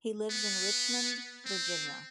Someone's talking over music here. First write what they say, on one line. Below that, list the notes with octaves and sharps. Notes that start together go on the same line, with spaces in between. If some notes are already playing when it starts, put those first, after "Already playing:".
He lives in Richmond, Virginia.
B3
C4